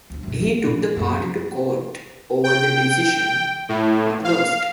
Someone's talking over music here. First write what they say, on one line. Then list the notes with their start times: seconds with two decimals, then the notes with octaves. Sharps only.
He took the party to court over the decision, but lost.
0.10 D2 G2
0.23 F#2 B2
0.41 B3
0.65 A#2
0.96 F#2 A#3
2.44 G5
3.69 A2
4.24 F5